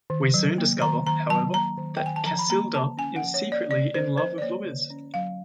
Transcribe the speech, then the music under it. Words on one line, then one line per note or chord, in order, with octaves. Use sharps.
We soon discover, however that Casilda is secretly in love with Luiz.
D#3
F#3
A#3
D#3 A#5
D#3 A#5
F#3 A5
A#3 A#5
D#3
G5
D#3 G#5
A5
F3 A#5
B5
A#3 A#5
D3 A5
C#4 G#5
F#5
F3
C#5
A#3
D5
D3 D5
C#4 C5
F3 C5
D5
A#3 C#5
D3
C#4
F#3 F5